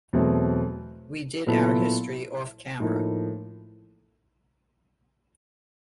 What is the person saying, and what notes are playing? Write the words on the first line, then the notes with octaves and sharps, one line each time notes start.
We did our history off-camera.
E2 B2 F#3 A3 C4
A#2 F#3 B3 E4 A4
A2 F3 A#3 D#4